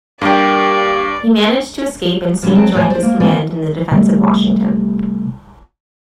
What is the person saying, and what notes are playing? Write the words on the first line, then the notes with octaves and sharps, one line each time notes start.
He managed to escape and soon joined his command in the defense of Washington.
G2 A#3 D#4 G4 D5
A#2 D3 F#3 G3
F#3 C4 A5
E2 A2 C#5 D5 G#5 A5
C5 D5
A#3
E3 A#3 C4 F#4 D5 G#5
C3 G3 A3 B3